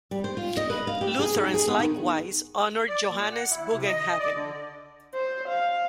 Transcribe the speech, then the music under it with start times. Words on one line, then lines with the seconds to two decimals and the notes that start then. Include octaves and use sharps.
Lutherans likewise honor Johannes Bugenhagen.
0.11 G3
0.24 C5
0.37 F4
0.57 D#5
0.70 B4
0.87 F5
1.01 G4
1.19 G#4
1.36 D#4
1.54 G#4
1.68 B3
1.80 D#3
2.89 D5
3.08 A#2
3.32 F#5
3.50 E4
3.72 C3
3.85 D#5
4.19 D5
4.35 D3
5.14 C5
5.48 F5